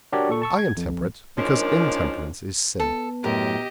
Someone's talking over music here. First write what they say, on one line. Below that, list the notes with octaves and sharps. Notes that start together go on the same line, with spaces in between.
I am temperate because intemperance is sin.
D4 F#4 G4 A#4 C#5 D5
A#2 A4 C#6
A5 C#6 E6
G#6
F2
D#3 F3 G#3 A#3 C#4 D4
B3 A4
F#2 A2 F#3 G4 A#4 D#5